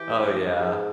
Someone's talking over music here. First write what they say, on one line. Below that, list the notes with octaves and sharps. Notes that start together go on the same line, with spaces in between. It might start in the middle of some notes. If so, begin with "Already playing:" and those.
Oh, yeah.
Already playing: E3 G4
G2
F3
G#2